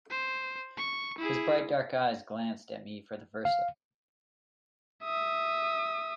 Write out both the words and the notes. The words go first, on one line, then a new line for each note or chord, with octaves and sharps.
His bright dark eyes glanced at me for the first time.
C5
C#6
E4 G#4
F5
E5 D#6